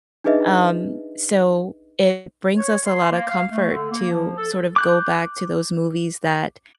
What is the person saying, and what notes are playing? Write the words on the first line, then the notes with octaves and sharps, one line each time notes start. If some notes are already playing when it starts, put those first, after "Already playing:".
Um, so it brings us a lotta comfort to sort of go back to those movies that,
D4 D#4 G#4 B4 D#5 E5
C#5
C6
A#3
F5
A3
D3
A#3
F3
A4
D6 F#6 G6